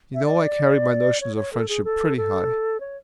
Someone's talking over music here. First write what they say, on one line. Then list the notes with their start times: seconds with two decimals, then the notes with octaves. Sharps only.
You know I carry my notions of friendship pretty high.
0.15 E5
0.25 D5
1.21 C#5
1.36 C#5
1.53 A4
1.69 G#4
1.85 A4
2.17 A4
2.80 C#5